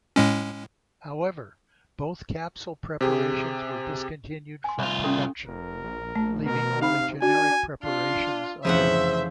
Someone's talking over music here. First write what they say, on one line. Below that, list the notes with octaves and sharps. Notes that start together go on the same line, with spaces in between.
However, both capsule preparations were discontinued from production, leaving only generic preparations available.
A2 G#3 C#4
C3 G4 G#4
G#5 C6
C2 F4
C#4 G4 A4
F1 A#4
A#1
A#1 A3
B2 A#4
C3 D#4 F5 B5
D4 F#4 G#5
D4 F4
F1 C#3 E3 F3 C5 E5 F#5